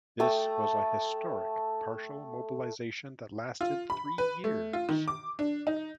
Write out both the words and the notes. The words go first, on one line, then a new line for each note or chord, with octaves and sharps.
This was a historic partial mobilization that lasted three years.
A3 A4 G5 D#6
F4
B5
B4
A3
F4
D#3
D6
D4
D#4